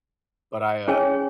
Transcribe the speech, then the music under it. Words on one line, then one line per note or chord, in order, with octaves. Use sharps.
but I, uh,
C#4 G#4 C#5 G#5